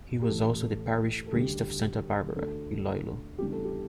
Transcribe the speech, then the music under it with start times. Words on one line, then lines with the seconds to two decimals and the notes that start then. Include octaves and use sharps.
He was also the parish priest of Santa Barbara, Iloilo.
0.22 G4
0.29 A1 A2 E3 A3 A4
1.26 A4
1.32 D2 C#3 G3 D4 G4
2.35 D2 D3 A3 A4
3.38 E2 C#3 E3 G3 D4 G4
3.52 A4
3.65 G4